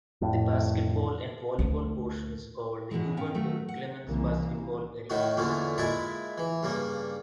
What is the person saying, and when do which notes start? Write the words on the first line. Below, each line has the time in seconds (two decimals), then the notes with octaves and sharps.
The basketball and volleyball portion is called the Hubert O. Clemmons Basketball Arena.
0.21 F2 A2
1.59 D2
2.91 G#2 B2 E3 G#3
3.17 A#2 C#4 F5 G5
3.34 D#3 F#3 A3
3.69 F#5
4.05 C2 A#2 C#3 E3 A#3
5.10 A2 D#3 D#4 F#4
5.37 E2 A#2 D3 C#4
5.78 A#2 G#3 E4 A5 B5
6.38 E3
6.63 G2 C#3 A#3